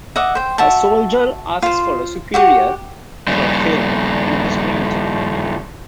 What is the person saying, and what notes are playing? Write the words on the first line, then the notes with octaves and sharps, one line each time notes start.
A soldier asks a superior for a favor, and it is granted.
D#5 E5 F#5 D6
C5 G5
F#4 E5 A5
F4 C5
F#4 G4 F#5
G2 C#3